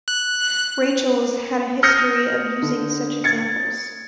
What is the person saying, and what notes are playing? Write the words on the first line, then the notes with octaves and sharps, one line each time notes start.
Rachels had a history of using such examples.
F#6
D#6 F6 G6 A#6 C#7
D3
G#6 A6 C#7